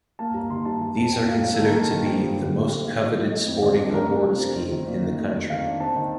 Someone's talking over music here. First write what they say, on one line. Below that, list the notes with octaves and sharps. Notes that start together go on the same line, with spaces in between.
These are considered to be "the most coveted sporting award scheme in the country".
A#3 A5
G2 A#5
D#3 C6
G2 A5
G3 A5
F2 A5
C3 G5
A#3 F5
F4
A4
D#3
A#4
A#3 A5
D#3
F3 G5
G2
D3
A#3
C4 G5
D#3 F5
G3 D#5
F4
A3 D#5
F2
D#3 D5
D4
A3 A#4
C3
F3
C4
D#4 C5
D#3
A#3 D5
D#3
A3 D#5
F2
D#3 F5
D4
C4 A5
D#3